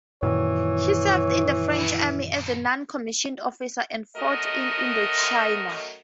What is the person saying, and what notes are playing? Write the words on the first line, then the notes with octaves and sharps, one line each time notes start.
He served in the French Army as a non-commissioned officer and fought in Indochina.
F#2 A#2 D#3 E3 C#5
F#2 A3 F#4 A#4 D#5